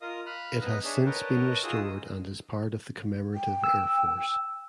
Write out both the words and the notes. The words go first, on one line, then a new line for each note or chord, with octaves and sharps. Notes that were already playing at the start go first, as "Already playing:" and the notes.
It has since been restored and is part of the Commemorative Air Force.
F4 A#4 D#5 F5 D#6
F5 B5 F6 F#6
B3 D#4 B4 D#5
D4 G#4 C#5 E5 A5
A#4 B4 C#5 D#5 G5 A5
D#4 F4 F#4 G#4 D#6 E6
G5
E6